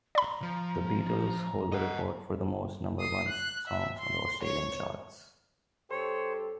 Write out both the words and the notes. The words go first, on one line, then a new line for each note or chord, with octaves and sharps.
The Beatles hold the record for the most number-ones songs on the Australian charts.
D5 A#5 B5
F3
D#5 F#5
D#6 C7
F#6
E5
C6
C#5
G2 G4 A4 C5 C#5